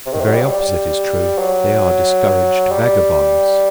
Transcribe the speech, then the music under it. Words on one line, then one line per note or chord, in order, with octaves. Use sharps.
The very opposite is true; they are discouraged vagabonds.
C3
D#3
C3
F#3
G3
F#3
G3
F#3
G3